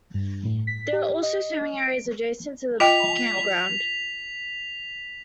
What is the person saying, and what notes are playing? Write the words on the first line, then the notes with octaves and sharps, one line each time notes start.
There are also swimming areas adjacent to the campground.
G2
A2
B6
G4
D#5
D7
F4 D#5 G5 B6 F7